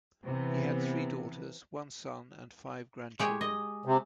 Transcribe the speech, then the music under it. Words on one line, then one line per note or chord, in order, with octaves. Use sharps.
He had three daughters, one son, and five grandchildren.
C3 E3 B3
G#3 G4 C#5
D#5
C3